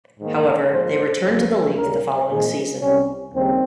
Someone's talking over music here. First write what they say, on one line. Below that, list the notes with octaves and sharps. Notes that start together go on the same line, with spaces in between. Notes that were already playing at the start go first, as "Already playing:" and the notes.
However, they returned to the league the following season.
G#2 D#3 A#3
G#2 F3 A#3 C5
F2 C#3 F3
D#2 C#3 G3 A#4
A#2 G#3 C4 G#4
C2 C3 G3 C#4
D#2 C#3 G3 C4